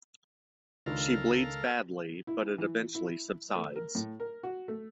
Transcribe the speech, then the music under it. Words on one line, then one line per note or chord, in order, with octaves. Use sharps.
She bleeds badly, but it eventually subsides.
C#2 D#3 D4 F4 A4 A#4 F5
E4
E3
E4
A3
A#4
A2
A#4
F#4
A3